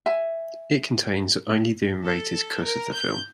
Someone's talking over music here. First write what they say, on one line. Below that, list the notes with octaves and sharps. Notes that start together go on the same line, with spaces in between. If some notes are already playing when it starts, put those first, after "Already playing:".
It contains only the unrated cut of the film.
E5 G#5
A4
A#4
G6